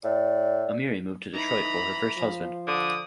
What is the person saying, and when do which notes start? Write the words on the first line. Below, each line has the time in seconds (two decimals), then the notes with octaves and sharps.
Ameri moved to Detroit for her first husband.
0.04 A2 D5
1.33 E3 D#4 A#5 B5
2.17 F3
2.67 D3 D#6